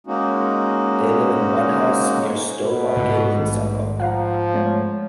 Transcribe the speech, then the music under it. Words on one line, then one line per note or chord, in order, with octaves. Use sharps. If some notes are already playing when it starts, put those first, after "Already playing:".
They live in Onehouse near Stowmarket in Suffolk.
G#3 A#3 C#4 D#4 F#4
B2
G#2
A#1 D#3 A3
F3 F5 F#5 A#5
G#3 A3 C#5